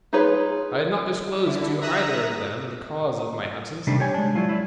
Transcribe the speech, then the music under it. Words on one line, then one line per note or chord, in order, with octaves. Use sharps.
I had not disclosed to either of them the cause of my absence.
D#4 F4 G#4 B4 C#5
D3 E4
E5 A#5 D#6 E6 F#6 A#6
C3 D#3 G3 A3 D4
G4 C#5 G#5
G#3 D4
F#3 E4 F4
E4 D5